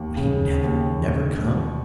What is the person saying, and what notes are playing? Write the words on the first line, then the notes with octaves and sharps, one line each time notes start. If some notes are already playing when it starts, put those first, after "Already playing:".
Would he never, never come?
Already playing: D#2
C#3
D#2